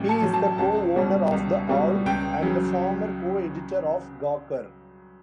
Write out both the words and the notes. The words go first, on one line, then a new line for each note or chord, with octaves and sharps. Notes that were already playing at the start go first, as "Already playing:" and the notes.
He is the co-owner of The Awl, and the former co-editor of Gawker.
Already playing: A1 A2 F#3
A5
A2 F#3
A5
C#2 A5
B2 G3
C#2
B2 G3
C#2 G5
C#3 F#3